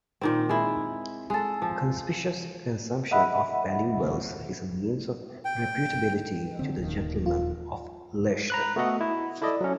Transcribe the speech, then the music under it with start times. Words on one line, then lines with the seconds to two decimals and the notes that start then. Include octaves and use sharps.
Conspicuous consumption of valuables is a means of reputability to the gentleman of leisure.
0.21 A#2 D#3 C4
0.49 G#3 E4
1.30 G#3 A4
1.62 F3
3.11 D#5 E5 F#5 B5
5.45 G5
6.59 D3 C4
6.78 D#1 D#2 D#3
7.26 F4
8.50 A#5 B5 F#6
8.76 A3 B3 F#4 A4 D#5 F#5
9.01 E4
9.42 E4 A4 D5 D#5
9.61 F#3 C#4